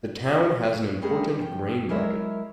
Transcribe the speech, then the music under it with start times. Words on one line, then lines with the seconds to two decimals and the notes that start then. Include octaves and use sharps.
The town has an important grain market.
0.29 F4 F#4
1.02 G3 A3 C#4 G4 G#4 A#4
1.40 F3 G5
1.89 F#3 G#3 E4 A#4 C#5 E5